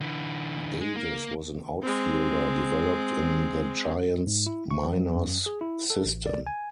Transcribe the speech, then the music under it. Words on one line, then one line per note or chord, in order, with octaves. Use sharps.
Davis was an outfielder developed in the Giants minors system.
D3 E3
G#3
A#3
G#3 C4
G#2
E4
C#6
F3
F#2
G#4
E4
A4
A1
D5
G#5